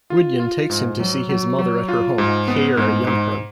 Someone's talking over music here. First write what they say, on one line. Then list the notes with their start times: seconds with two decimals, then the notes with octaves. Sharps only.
Gwydion takes him to see his mother at her home, Caer Arianrhod.
0.10 F4
0.40 F4
0.70 G#2
1.00 F#3
1.29 F#3
1.59 F#3
1.89 F4
2.18 G#2
2.48 B3
2.77 G#2
3.07 G#2